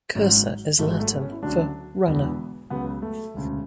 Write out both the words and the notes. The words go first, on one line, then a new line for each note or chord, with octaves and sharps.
Cursor is Latin for 'runner.
G#1 G#2 F#3 C#4
G#1 G#2 F#3 A3
G#3
A3
B3
C#4
E4
D2 C#3 F#3 D4
E1 E2 D3 B3
C#2 C#3 F#3 B3
A3
E1 D2 C#3